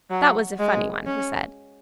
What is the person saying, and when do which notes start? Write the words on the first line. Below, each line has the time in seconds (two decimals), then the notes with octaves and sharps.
"That was a funny one," he said.
0.10 F#3
0.59 G#3
1.06 C#4